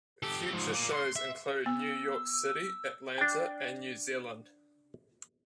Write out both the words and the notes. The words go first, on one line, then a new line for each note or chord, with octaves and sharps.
Future shows include New York City, Atlanta and New Zealand.
G4 A4
G#2 F3
A#3 D5
C6
E5
B3 E6
D4 G5